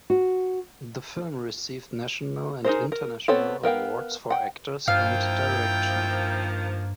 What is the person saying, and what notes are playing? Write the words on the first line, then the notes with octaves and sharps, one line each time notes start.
The film received national and international awards for actors and direction.
F#4
D#4 G#4 A#4 C5
A#4
B3 C4 A4 C#5 A5
B3 A#4 F5 G5
F#5 G5
G2 D#3 F3 A#3 E4 F5 G5